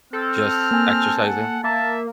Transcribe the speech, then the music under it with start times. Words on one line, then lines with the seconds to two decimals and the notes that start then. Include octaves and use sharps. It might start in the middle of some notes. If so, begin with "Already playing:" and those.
just exercising.
0.13 C4 A4 F6
0.71 A#3 G#5
1.24 F#5
1.64 A#3 E5 A5